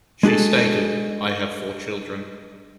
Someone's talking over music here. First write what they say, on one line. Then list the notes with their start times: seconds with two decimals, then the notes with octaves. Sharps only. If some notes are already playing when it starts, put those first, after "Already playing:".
She stated, I have four children.
0.23 G#3 D4 F#4 G#4 A4